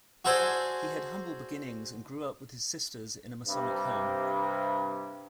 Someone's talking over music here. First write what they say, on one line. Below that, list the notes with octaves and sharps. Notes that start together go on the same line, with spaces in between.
He had humble beginnings and grew up with his sisters in a Masonic home.
F#4 G#4 A4 C5 D5 G#5
G2 C3